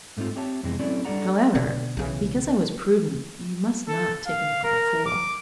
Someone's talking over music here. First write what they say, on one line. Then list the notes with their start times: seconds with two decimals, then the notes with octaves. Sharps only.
However, because I was prudent you must not take me for a fool.
0.17 G#2 A3 C4 D#4 F4
0.36 C4 G4 C#5 E5 A5
0.63 F2 C3 E3 G#3 B3
0.79 F#3 A3 C4 C#4 E4 D5
1.05 G3 D4 A4 D5 F#5 A#5
1.55 B2 D3 B3
1.97 B1 C#3 E3
3.88 A4
4.27 F5
4.64 A#4
5.06 D6